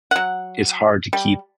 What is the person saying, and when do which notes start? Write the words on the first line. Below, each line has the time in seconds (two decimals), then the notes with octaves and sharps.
it's hard to keep
0.11 F#3 F#5
1.13 G3